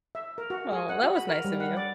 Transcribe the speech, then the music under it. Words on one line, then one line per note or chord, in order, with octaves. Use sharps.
Well, that was nice of you.
E5
A#4
F#4
G#4
F#5
F#4
B5
A#4
G3
F#5
D5